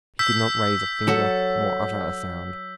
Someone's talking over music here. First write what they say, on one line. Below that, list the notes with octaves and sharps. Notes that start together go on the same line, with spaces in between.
He could not raise a finger nor utter a sound.
E6 G6 B6
F#3 A4 F#5